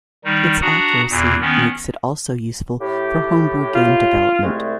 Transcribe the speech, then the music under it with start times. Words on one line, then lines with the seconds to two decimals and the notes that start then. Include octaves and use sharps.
Its accuracy makes it also useful for homebrew game development.
0.25 D#3 G3 D#4
0.62 D4 F#4 F#5 A#5 D#6
1.10 E2 A#2
1.41 D#3 B3 C#4
2.81 A2 G4
3.75 F4
4.43 C2 G#3 A3